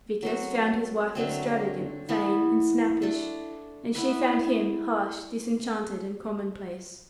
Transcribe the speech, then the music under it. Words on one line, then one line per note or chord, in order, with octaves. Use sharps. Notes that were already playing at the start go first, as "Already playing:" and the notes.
Vickers found his wife extravagant, vain, and snappish, and she found him harsh, disenchanted, and commonplace.
F#3 C4 F#4
D3 F#3 A3 C4
E3 B3 E4
A3 D4 A4
B3 E4 B4 E5